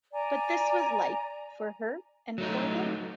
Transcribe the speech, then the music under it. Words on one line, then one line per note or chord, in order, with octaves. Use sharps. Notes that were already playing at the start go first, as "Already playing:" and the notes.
But this was life for her and for him.
D5 G#5 A#5
F#3 A3 D#4